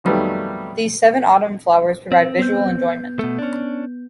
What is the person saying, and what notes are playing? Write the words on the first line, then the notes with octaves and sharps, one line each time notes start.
These seven autumn flowers provide visual enjoyment.
F2 D#3 F#3 G3 A3 B3
C4
B3 G6
B2 A3
C#4 D4